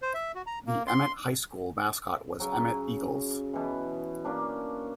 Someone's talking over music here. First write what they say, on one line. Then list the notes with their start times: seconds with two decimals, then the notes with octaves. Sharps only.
The Emmett High School mascot was Emmett Eagles.
0.02 C5
0.14 E5
0.35 F#4
0.47 A#5
0.67 A#3
0.87 C6
2.40 C#3 F#3
3.53 B2 E3
4.25 A#3 C#4 D4